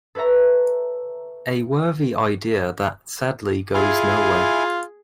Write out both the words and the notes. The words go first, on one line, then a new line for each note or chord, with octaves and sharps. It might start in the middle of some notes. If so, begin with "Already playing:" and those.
A worthy idea that sadly goes nowhere.
A4 B4 C#5 E5 A#5
E4 F4 G#4 G#5